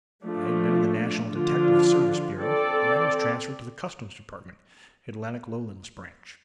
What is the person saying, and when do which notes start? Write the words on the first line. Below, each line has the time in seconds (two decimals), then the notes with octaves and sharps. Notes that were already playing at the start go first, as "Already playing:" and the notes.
I had been in the National Detective Service Bureau, and then was transferred to the Customs Department, Atlantic Lowlands Branch.
0.24 F3 A3 D4
1.32 D3 F3 D4 F4
2.39 C4 A4 D5